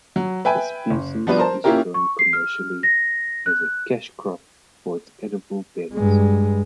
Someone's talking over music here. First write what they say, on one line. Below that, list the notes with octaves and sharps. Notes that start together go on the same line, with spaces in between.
The species is grown commercially as a cash crop for its edible berries.
F#3
B4 E5 G5 G#5 B5
F#1
F3 G3 B3 D4 F#4 B4
A#4 C5 A5
A#3 C#4 E4 F4 G4 A#4
C#6
C7
F6
A#6
F#6
G2 G#3